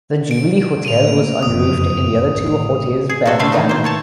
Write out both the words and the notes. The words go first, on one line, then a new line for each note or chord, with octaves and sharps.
The Jubilee Hotel was unroofed and the other two hotels badly damaged.
D7
A2 D3 A#3 D#7 F7
F#1 F2 D#6
A1 A2
G#4
A2 C3 F#4 A4
B2 D3 A3 E5 F5
D#3 E3 F#3 D#4
A#3 C5
A3 C#5 A5